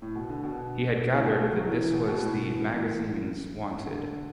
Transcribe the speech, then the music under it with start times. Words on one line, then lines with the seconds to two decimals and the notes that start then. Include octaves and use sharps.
He had gathered that this was what the magazines wanted.
0.02 A2
0.16 B2
0.30 D3
0.44 B2
1.12 A2
1.21 D3
1.26 B2
1.40 A3
1.52 F#3
1.66 E3
1.81 E3
1.94 B2
2.08 B2
2.21 A2
2.36 B2
2.49 E3
2.77 E3
3.86 D3